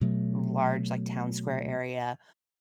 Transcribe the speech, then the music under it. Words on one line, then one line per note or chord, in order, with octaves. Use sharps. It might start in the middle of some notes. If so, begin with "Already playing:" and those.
large, like, town square area
B2 F#3 A3